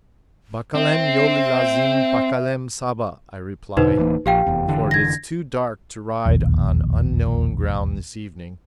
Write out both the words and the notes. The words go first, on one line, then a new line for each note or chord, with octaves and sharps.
"Bacalem yole lazim, bacalem saba," I reply, for it is too dark to ride on unknown ground this evening.
C4 E5
E2 B2 D3 D#4 B4 C5
D1 E3 A#3
A#1 G4 F5 G5
F1 E2
F1 D3 E3
G#6 A#6
E1 A#1 D#2